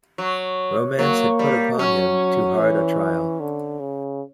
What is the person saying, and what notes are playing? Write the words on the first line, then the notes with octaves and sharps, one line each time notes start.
Romance had put upon him too hard a trial.
F#3
F#3 A#3
G3
F#3 C#4
E3
D3
C#3